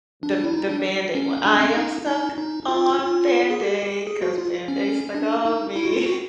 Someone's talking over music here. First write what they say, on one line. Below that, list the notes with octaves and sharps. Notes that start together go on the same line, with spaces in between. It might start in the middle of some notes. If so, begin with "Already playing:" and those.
the the Band-Aid one. I am stuck on Band-Aid 'cause Band-Aid's stuck on me.
D4
E4
D#4
D4
C#4
D4
C4
C#4
D#4
D#4
D#4
F4
F4
G#4
G4
G#4
F#4
F4
C#4
D4
D#4
E4
F#4
F4
F#4